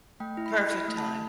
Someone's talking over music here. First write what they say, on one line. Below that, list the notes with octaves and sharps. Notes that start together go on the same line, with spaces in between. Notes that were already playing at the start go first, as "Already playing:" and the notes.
Perfect time.
A3 G5
E4
B5
E4
E4 B5
A3
A5
A3